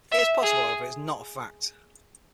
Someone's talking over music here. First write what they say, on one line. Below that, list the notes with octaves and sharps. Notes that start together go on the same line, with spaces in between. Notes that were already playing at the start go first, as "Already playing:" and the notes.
It is possible however it is not a fact.
E5
G#4